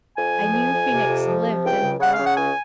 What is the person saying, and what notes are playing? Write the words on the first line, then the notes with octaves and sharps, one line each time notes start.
A new Phoenix lived in the world.
F2 G#5
F3
F2
F2
C3
F2
F3
C3
C#2 G5
C#3
C#3 F#5
F5
C#3
F#5
C#2 G#5